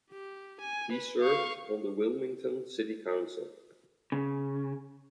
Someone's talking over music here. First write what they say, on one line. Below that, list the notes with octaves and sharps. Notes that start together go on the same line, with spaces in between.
He served on the Wilmington City Council.
G4
G#5
B4
F5 C#6
C#3